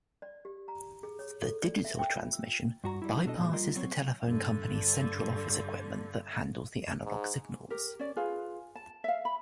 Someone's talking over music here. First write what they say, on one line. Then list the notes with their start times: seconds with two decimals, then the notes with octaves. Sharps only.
The digital transmission bypasses the telephone company's central office equipment that handles analogue signals.
0.22 D5
0.45 G4
0.68 A#5
1.03 G#4
1.19 C#5
1.42 A4
1.62 D5
1.84 E5
1.99 G5
2.16 F4
2.33 E6
2.84 G2 F#4 A#5
3.02 G3 E4
3.26 B2 D4 A4 C#5 D#5
3.39 A#2 D3 E3 F3 G#3
3.53 G3 F4 A#4 D#5
3.76 F#3 C4 C#5
4.26 G2 D3
7.04 G#2
7.70 G4 A#4
7.99 C#4 D5
8.17 F4 G#4 B4 G#5
8.75 A5
9.04 E5 F5
9.25 B5